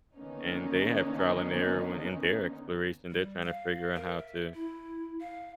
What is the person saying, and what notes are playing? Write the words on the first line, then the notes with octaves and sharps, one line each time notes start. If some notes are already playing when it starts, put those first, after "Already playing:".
and they have trial and error when in their exploration. They're tryna figure out how to, uh,
D3 D#3 A#3 B3 C#4 D#4
G3
F5
A#4
E5
E4
F5